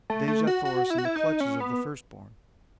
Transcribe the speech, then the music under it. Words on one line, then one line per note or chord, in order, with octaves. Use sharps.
Dejah Thoris in the clutches of the First Born!
A3
A3
F#4
F#4
E4
F#4
E4
D#4
C#4
B3